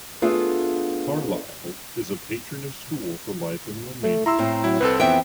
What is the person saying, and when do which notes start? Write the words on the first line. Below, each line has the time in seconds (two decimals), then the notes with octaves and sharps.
Carlyle is a patron of School For Life in Romania.
0.22 A3 B3 D4 F4 G#4 A4
4.03 A3
4.26 E4 A#5 C6 E6
4.39 A2 C4
4.64 F#3 E4
4.81 C2 C4 A4 B4
5.00 F2 E3 B3 C4 E5 G5